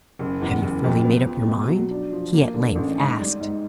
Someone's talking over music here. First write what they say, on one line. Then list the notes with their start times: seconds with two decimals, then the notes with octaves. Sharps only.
"Have you fully made up your mind?" he at length asked.
0.19 F#1
0.41 E2
0.62 F#1
0.84 F2
1.05 B3
1.27 F3
1.48 B2
1.70 F#3
1.91 D4
2.12 F3
2.33 A#3
2.54 D3
2.75 A1
2.97 G#2
3.19 G3
3.40 G#2